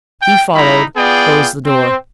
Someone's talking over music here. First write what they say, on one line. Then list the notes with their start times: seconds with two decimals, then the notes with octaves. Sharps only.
He followed, closed the door.
0.23 G5
0.54 G3 D#4 E4 A#5 B5
0.97 B3 F4 G#4 D5 G5
1.65 C4